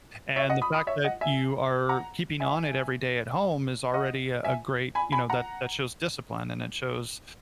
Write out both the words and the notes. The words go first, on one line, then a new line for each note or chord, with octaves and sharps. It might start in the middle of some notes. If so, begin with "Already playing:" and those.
and the fact that you are keeping on it every day at home is already a a great, you know that that shows discipline and it shows,
C#5 E5
D#5 F#5
B5 D#6
B5 D#6
C#5 E5
D#5 F#5
E5 G#5
F#5 A#5
E5 G#5
D#5 F#5
E5 G#5
G#5 B5
G#5 B5
F#5 A#5